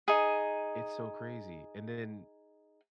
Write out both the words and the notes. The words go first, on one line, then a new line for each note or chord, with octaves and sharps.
It's so crazy, and then
D#4 G#4